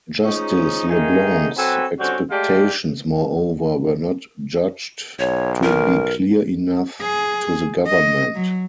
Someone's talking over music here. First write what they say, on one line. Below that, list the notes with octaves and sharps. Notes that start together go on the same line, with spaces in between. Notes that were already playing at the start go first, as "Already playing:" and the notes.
Justice LeBlanc's expectations, moreover, were not judged to be clear enough to the government.
F3 G#3 C#4 D#4
D#3 A3 A#3 D#4 G#4
F#3 C4 F#4 A4 B4 G#5
D3 G3 C4 C#4 F#4
G#3 A3 G4 D5 F5 A5
B1 C#5
A#4
G#4
D#5
F#3